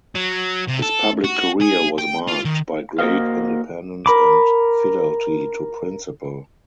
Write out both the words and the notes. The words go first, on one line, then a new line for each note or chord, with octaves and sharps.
His public career was marked by great independence and fidelity to principle.
F#3
C3
A4
F#4
G#4
G5
F4
D#3
A#3 F#4 A#4 C5 D#5 F5
A#4 B5 D6